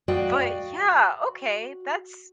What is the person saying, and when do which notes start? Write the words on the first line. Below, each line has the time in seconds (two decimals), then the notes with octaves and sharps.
But, yeah, okay, that's
0.08 F#4 D5 D#5 F5 G5